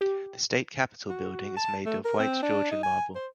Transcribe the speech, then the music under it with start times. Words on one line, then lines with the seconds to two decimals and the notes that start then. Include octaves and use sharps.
The state capitol building is made of white Georgian marble.
0.01 G4
1.09 F#4
1.56 A5
1.85 A3
2.05 A#4
2.19 C4
2.42 D4
2.71 D#4
2.83 G#5
3.15 C5